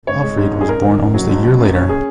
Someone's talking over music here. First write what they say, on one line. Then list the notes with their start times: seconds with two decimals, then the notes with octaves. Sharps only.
Alfried was born almost a year later.
0.07 G#1 C#5
0.23 G#3
0.38 G#2
0.52 G#1
0.60 G#4
0.69 F#1 A#4
0.83 D#3
0.99 F#2
1.14 F#3
1.29 F#1
1.44 F#3
1.59 F#2
1.74 C#4
1.89 G#4